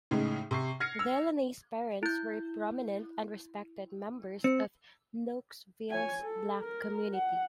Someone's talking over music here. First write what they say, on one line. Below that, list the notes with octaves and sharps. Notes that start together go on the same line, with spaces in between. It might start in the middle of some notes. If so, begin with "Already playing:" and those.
Delaney's parents were prominent and respected members of Knoxville's black community.
A2 C#3 G#3 D#4
C3 C#6 C7
F6 G#6 A#6 C7 C#7
E6 F7
E4 G6
C4 C#7
C#5 G#5
A4
A#4
F#5